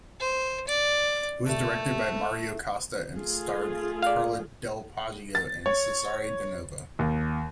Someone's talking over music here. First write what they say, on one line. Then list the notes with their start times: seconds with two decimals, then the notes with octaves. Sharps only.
It was directed by Mario Costa and starred Carla Del Poggio and Cesare Danova.
0.20 C5
0.68 D5
1.46 A3
3.14 A3 F4 G#4
4.02 D5 F5
5.35 A6
5.66 C#5
6.99 D#2